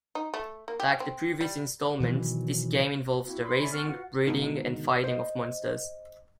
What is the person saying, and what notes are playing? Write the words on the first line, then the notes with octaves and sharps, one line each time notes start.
Like the previous installments, this game involves the raising, breeding, and fighting of monsters.
D#4
A3
A#3
G4
C4
G3
B2 D#3 E3 F#3
A#3 C4 E4 F#4
B5 C6
C#5 D5 E5 G#5 B5
C4 C#4 D5 F#5 C#6 F6
F4 F#4 B4 F5 F#5
G#2 B2 D3 D#3
C5 D#5